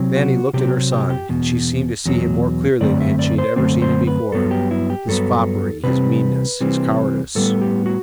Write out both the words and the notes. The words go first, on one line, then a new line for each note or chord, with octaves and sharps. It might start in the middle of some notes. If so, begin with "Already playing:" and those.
Fannie looked at her son, and she seemed to see him more clearly than she had ever seen him before,--his foppery, his meanness, his cowardice.
Already playing: C3 F#3 C4
F#4
C3 F#3 C4 G4
G4
G4
E2 B2
E2 B2 F#3
F#2 D3 A3 C4 D5
E5
D5
C5
F#2 D3 A3 C4 C5
C5
B4
G2 F#3 B3 A4
G4
E4
G4
G2 F#3 B3 A4
C3 E3 G3 C4 B4
C3 E3 G3 C4
A2 G3 B3 A4
G4
F#4